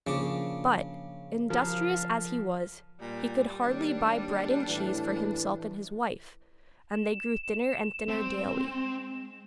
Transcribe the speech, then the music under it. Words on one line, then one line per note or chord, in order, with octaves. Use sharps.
But, industrious as he was, he could hardly buy bread and cheese for himself and his wife, and they grew thinner and thinner daily.
C#3 F3 A#3 D4 D6
F3 A#4 F5
A#2 G3
D#2 D4
A2 E3
E7
G#3 C4